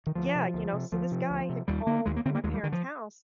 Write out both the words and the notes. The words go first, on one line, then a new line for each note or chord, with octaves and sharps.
Yeah, you know, so this guy had called my parents' house
D#3
D2 F3
C3
D2
C3
D2 F3
C3
D2
C3
D#2 G3
D3 A#3
D#2 G#3
A#3
D3 C4
A#3
D#2 G#3
G3
D3 D#3
F3